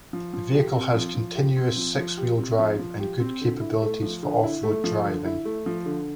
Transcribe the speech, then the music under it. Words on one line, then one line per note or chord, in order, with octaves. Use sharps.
The vehicle has continuous six wheel drive and good capabilities for off-road driving.
F3
F3
G4
C4
F3
F3
G4
C4
F3
F3
G4
C4
F3
F3
G4
C4
D3
E4
A3
F3
D3
E4
A3
F3
D3
E4
A3
F3
D3